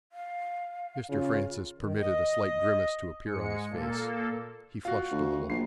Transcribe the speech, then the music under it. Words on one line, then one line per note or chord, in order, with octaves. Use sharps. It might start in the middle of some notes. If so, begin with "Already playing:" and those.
Mr. Francis permitted a slight grimace to appear on his face; he flushed a little.
F5
C#3 F4
D#3
D#5
G#2 G#3 C#7
A#2 A#3 A4
F4 F#4
D2
A#1 C7